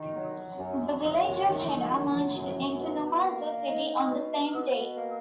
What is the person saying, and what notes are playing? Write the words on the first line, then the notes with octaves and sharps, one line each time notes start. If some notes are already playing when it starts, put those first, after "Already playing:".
The village of Heda merged into Numazu City on the same day.
Already playing: D#3
F#3
F#2
F#2
D#3
F#3
F#2
B2
A#3
D#4
B2
B2
A#3